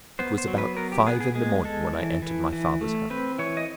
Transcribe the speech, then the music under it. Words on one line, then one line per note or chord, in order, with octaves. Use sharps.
It was about five in the morning when I entered my father's house.
B3 C5
C5
F#3
B4
B3 A#4
G4
B3 G#4
G#4
G#3 G#4
G#3 A4
E3
E3
E3
A3
C4 B4
E3 C#5
D#5